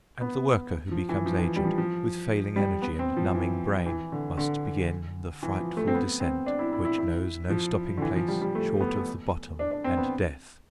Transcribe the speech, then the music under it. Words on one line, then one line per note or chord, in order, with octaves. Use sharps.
And the worker who becomes aged, with failing energy and numbing brain, must begin the frightful descent which knows no stopping-place short of the bottom and death.
B3
F3
E3
F3
E3
G3
F3
F3
G3
B3
C4
F3
E3
E3
D3
D3
E3
F3
A3
C4
B3
C4
D4
E4
E4
E4
E4
F3
D3
E3
F3
G3
G3
A3
B3
D4
D4
C4
B3